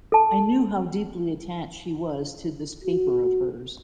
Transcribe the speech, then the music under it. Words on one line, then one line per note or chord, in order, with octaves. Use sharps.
I knew how deeply attached she was to this paper of hers.
A4 A5
F#4